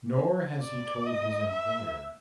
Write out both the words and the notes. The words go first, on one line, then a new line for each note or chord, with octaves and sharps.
Nor has he told his employer.
D5
D#5
E5